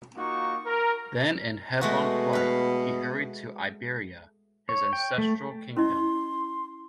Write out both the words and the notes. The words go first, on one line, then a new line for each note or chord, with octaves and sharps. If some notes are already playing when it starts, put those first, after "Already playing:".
Then in headlong flight he hurried to Iberia, his ancestral kingdom.
A#3 D#4 F4 F#4 C#6
A#4
B2 G#3 A3 F#4
B4 F5
C#5
G5
A3
C#4 E4 D#5 C6